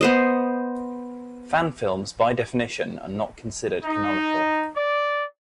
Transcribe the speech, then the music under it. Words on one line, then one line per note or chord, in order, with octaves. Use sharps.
Fan films by definition are not considered canonical.
B3 C5 D#5
D#4
D5